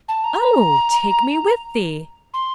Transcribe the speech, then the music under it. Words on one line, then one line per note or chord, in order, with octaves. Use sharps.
'Oh! take me with thee!'
A5
A#5
C6